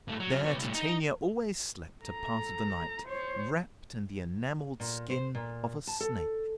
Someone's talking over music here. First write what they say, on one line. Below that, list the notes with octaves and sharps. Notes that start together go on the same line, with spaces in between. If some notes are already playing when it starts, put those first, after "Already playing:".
There Titania always slept a part of the night, wrapped in the enameled skin of a snake.
G2 A3
F#3
F#3 C#4
B3 C#5
C2 A2
D#4
A4 A#5
C5 C#5
A#2
C5
A#2
A5
A4